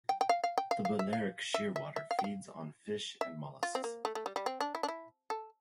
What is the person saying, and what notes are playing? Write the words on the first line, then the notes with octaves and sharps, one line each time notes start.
The Balearic shearwater feeds on fish and molluscs.
G5
G5
F5
F5
G5
F5
F5
E5
F5
E5
E5
E5
F5
G5
F5
E5
F4
C4
A#3
A3
A3
G3
G3
C4
D4
E4
D4
E4
A4